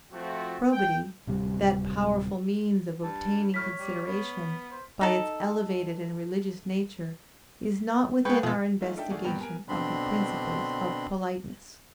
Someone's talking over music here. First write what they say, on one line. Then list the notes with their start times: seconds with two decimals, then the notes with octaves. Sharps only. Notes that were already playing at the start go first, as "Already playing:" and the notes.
Probity, that powerful means of obtaining consideration, by its elevated and religious nature, is not within our investigation of the principles of politeness.
0.12 F3 A3 C4 F#4
0.71 G5
1.27 D1 C3 G3
3.03 G2 A5
3.54 A2 C#5 F6 B6
3.79 G3
4.07 B3
4.71 C5
5.01 D#4 A4
8.25 B2 G#3 B4 G5 C#6
8.43 B2 F3 G#4 A4
8.81 A3 D#4 F4 F#4 G#4
8.96 D4 D#4 A4 E5 G5
9.10 D#3 A3 G#4 D5 F#5
9.24 D#1 G2 A#2 B3 G5 F7
9.39 B3 A#4 G#5 D7
9.69 B2 D3 C4 D4 B5 C6